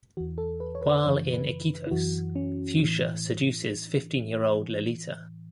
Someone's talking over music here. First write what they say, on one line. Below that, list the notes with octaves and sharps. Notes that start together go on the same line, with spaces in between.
While in Iquitos, Fushia seduces fifteen-year-old Lalita.
E2 E3 F#4
A4
B4
C#5
B4
F#2 C#3 E3 C#5
B4
E4
F#2 E3 F#4
C#4
A2 E3